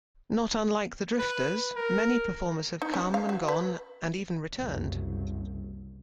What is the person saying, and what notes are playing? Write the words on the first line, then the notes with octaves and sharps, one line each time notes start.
Not unlike The Drifters, many performers have come and gone, and even returned.
B4
A#4
D#4
C#4
F5
F#4
B4
F#1 C2 F#2